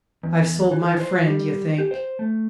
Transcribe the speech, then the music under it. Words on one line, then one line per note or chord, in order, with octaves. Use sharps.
I've sold my friend, you think.
E2
E3
C5
G3
G4
C5
A3